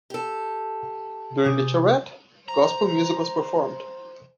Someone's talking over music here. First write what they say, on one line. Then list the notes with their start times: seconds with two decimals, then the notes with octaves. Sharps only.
During the charrette, gospel music was performed.
0.10 G4 A4
1.45 C3 G4 G#4
2.48 C5 A#5